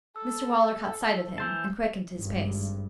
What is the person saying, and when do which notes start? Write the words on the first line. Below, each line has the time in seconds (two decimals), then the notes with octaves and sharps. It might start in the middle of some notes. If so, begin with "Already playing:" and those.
Mr Waller caught sight of him and quickened his pace.
0.16 A4 E6
1.38 E3 C5 A5 E6 G6 E7
2.15 G#1 G2